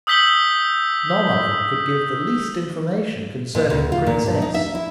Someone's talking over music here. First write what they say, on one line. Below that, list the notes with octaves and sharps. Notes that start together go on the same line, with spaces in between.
None of them could give the least information concerning the princess.
D#6 E6 G6 B6 F#7 G7
A#2
D2
F4
A#2
G2
D#4
E5
E4